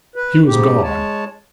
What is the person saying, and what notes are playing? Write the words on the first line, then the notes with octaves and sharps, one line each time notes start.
He was God.
B4
G#2 C#3 G4
G#3 C#5 A5